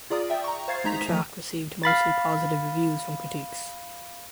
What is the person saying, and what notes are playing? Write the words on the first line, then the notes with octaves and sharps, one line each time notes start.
The track received mostly positive reviews from critics.
F4 G#4 D5 A#5 D#6
E5 G5
A#5 C#6
C5 F5 G#6 A6 C7
G#3 D#4 A#5 B6 F7
F3 A3
F5 B5 A6